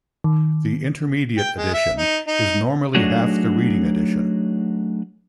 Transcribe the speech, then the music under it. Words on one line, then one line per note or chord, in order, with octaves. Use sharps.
The intermediate addition is normally half the reading addition.
D#3
G5
G#3
E5
D#4
D#4
F#3 A3 D4 D#4 F#4 G#4